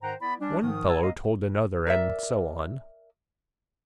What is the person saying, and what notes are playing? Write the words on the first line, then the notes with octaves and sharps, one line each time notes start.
One fellow told another and so on.
G#2 D#3 C5 F#5 G5 A#5
B3 E4 D5 B5
G3 C#4 D4
G#2 D#3 F3 D#6
F#5 G#5 A5 E6
A#3 D#5 F5
A#4 D5 E5